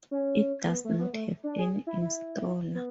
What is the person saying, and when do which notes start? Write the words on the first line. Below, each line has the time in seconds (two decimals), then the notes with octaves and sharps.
It does not have any installer.
0.11 C#4
0.65 A3
0.69 B3
0.85 A3
0.99 B3
1.13 A3
1.44 D4
1.58 G#4
1.87 E4
2.01 E4
2.75 B3